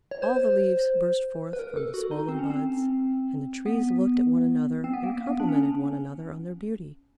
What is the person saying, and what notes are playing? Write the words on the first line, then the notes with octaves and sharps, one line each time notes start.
All the leaves burst forth from the swollen buds, and the Trees looked at one another and complimented one another on their beauty.
C#5
C5
B4
A#4
A4
F#4
D#4
C4
C#4
C4
B3
C4
B3
A#3
B3
D4
C#4